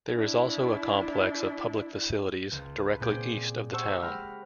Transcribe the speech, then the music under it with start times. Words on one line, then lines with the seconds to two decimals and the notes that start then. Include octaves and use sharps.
There is also a complex of public facilities directly east of the town.
0.10 D4 E4
2.51 C#2
2.78 B4
3.00 A#2 C4 G#4 D5 G6
3.72 G4 C5 F#5 A5 C#6 E6
4.02 G#3 G4 F#5 B5 F6 A#6